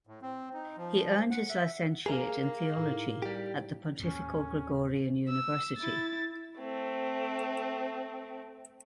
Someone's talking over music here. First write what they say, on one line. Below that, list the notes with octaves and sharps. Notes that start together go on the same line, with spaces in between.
He earned his licenciate in theology at the Pontifical Gregorian University.
A2
C4
D#4
F3
F#5
E5
A#3 G#4 A#4
A2 D#4 E4
G3 G4
D#2 A2 C#4
E6
E4 A6
A3 C4